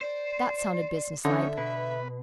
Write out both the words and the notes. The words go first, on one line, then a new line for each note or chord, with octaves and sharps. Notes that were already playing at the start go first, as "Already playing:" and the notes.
That sounded business-like.
C5 D5
D3 C#4 D#4 E5
B2 B4